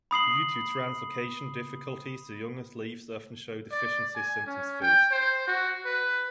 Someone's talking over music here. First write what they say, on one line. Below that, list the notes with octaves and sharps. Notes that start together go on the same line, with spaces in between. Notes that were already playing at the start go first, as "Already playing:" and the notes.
Due to translocation difficulties the youngest leaves often show deficiency symptoms first.
B5 D#6 C7 F#7
D5
G#5
C#4
G5
C5
F#4
B4